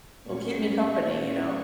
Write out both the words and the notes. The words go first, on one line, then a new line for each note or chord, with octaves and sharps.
it'll keep me company," you know?
A#2 G3 A#3 C#4 C#6
A#2 A#3 C#4